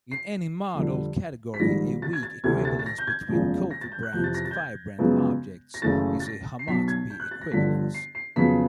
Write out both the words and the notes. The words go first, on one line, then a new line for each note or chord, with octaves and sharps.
In any model category, a weak equivalence between cofibrant-fibrant objects is a homotopy equivalence.
C7
F2 D3 G3
B6
A#1 G#2 D#3 G3 A#6
A6
G#6
A6
D2 C3 E3 A3 G#6
A6
A6
A#6
G6
G#6
F#1 E2 C#3 F3 G#3
A#6
A6
G6
F#6
F2 C3 E3 G6
A6
A#6
A6
G6
G#6
F#2 C#3 F3 G#3 B3
A#6
F#1 F#2 C#3 E3 A3 A6
A6
A#6
C7
B1 B2 F#3 B6
G#6
G6
F#6
A6
A#6
G1 G2 D3 F3 B6
C7
C7
F2 C#3 F#3 B3 B6